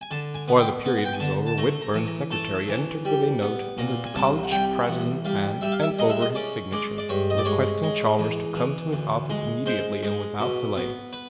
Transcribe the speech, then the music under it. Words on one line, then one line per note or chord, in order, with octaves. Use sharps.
Before the period was over, Whitburn's secretary entered with a note in the college president's hand and over his signature; requesting Chalmers to come to his office immediately and without delay.
G#5
D3 A5
G#5
B3
G5
B3
F#5
G5
G#5
D3 A5
A5
A3 A#5
A#5
E3
A#5
A3 A5
E3
G3
B3
A#2 A#5
G#5
C2 A5
F#5
G3 G5
A1 F#5
G3 F5
G3 E5
F5
E5
G#3 D#5
E5
D#5
C#4 D5
G#3 D5
D5
G2 C#5
D#5
D5
G#3 C#5
G#3
E3
E3
D2
G#3
G#3 C5
G#3
B2
B3
B4